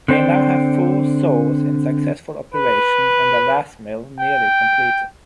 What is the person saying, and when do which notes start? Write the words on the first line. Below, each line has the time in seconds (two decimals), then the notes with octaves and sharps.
They now have four Saws in successful operation and a Lath Mill nearly completed.
0.08 D3 C4 C5 D5 G5
2.54 B4
4.19 G5